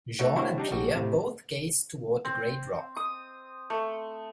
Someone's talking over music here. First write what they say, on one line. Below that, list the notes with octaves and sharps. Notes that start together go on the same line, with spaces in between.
Jeanne and Pierre both gazed toward the great rock.
A3 D#4 C#5 F#5
C4 D4 E4 F#4 C5 C#5
G3 D4 D#4
A#1 G3 F#4
A2 C3
C4
D#6
A3